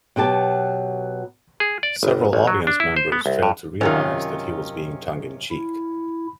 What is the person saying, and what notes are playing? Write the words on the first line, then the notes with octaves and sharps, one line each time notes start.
Several audience members failed to realise that he was being tongue in cheek.
B2 F#3 G4 A5
G#4
D5
G1
A1
F#3
D4
E4
C5
B3
C2
G2
F#2 C3 D#3 C#4 F4
E4